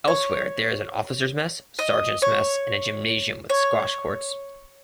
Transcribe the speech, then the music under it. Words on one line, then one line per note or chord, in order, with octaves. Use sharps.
Elsewhere there is an officers' mess, sergeants' mess, and a gymnasium with squash courts.
C#5
D#5
C#5
C#5